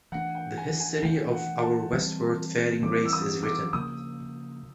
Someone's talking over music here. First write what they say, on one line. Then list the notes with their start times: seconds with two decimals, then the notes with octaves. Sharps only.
The history of our westward-faring race is written in it.
0.12 E3 A3 D4 F#5
0.35 G5
0.57 G#5
0.80 G#5
1.03 E3 A3 D4 G5
1.33 F#5
1.62 A5
1.93 E3 G3 C4
2.83 E3 G3 C4 D6
3.05 E6
3.13 D#6
3.43 D6
3.73 C#3 F3 A#3 D#6